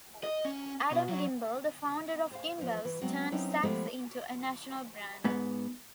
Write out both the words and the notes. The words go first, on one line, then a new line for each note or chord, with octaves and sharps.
Adam Gimbel, the founder of Gimbels, turned Saks into a national brand.
D#5
C#4
B2
F#3
C5 F5
E2 F3
E3
F#3 G#3 B3 C4 F#4 C#5
F#3 C4 C#4 D#4 E4 B4
F3 G#3 A3 B3 E4 G4
G#2 B3